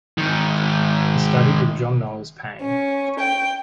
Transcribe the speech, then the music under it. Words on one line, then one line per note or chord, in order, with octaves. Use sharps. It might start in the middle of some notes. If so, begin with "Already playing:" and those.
He studied with John Knowles Paine.
G#2 D#3
C#4
G5